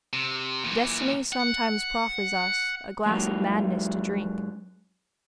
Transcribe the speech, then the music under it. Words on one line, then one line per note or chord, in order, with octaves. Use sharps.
Destiny sometimes proffers us a glass of madness to drink.
C3
A#2 E3
F#5
F#2 C#3 F#3 G#3